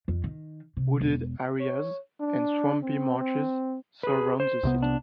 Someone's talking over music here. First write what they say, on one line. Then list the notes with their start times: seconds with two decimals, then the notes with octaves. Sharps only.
Wooded areas and swampy marshes surround the city.
0.08 F2
0.24 D#3
0.77 C3
1.01 E1
1.60 C#5
2.20 D4
2.83 C4
4.03 G#4 B4
4.40 C5
4.63 C2 C3 B3
4.82 D4